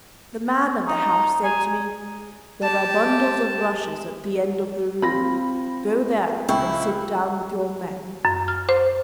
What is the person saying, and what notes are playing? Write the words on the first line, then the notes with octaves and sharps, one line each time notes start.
The man of the house said to me: 'There are bundles of rushes at the end of the room, go there and sit down with your men!'
D#4 A#5
G#5 A#5
G4 A5
C4 F4 B5 A#6
C#2 E4 G5 C#6
F#2
F6
C5